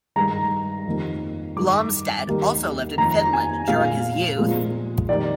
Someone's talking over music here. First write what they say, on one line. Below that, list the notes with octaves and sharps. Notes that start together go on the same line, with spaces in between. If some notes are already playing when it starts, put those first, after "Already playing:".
Blomstedt also lived in Finland during his youth.
G2 D#3 G#3 A#5
F2 D#3 G3 A#3
G2 D#3 G#3 D6
D#2 D#3 G3 A#3
F2 D#3 A#3 A#5
G#5
A#2 G#3 F5
A#2 F3 G#3
F2 D#3 G3 D5